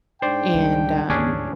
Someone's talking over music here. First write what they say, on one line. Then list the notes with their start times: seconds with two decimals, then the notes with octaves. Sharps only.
and, um
0.22 G#2 D4 C5 D5 G5
0.54 C#2 G3
1.10 D2 G#2 C#4 D4 G#4